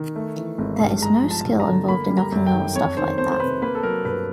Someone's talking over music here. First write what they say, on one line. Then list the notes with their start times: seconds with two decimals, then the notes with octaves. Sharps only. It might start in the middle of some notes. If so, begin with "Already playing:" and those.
There is no skill involved in knocking out stuff like that!
Already playing: D#3
0.16 A3
0.37 E3
0.58 G#1
0.80 G2
1.02 G#3 A#5
1.23 F3
1.31 A5
1.45 G2
1.60 A#5
1.67 D3
1.88 A#3 B5
2.10 G3
2.17 A#5
2.32 F#2
2.47 G5
2.53 D#3
2.75 F2 C#5
2.97 D#3 C5
3.18 F2 C5
3.32 C5
3.40 C3 B4
3.62 A#3 B4
3.75 A4
3.83 F#3 A#4
4.05 G2 B4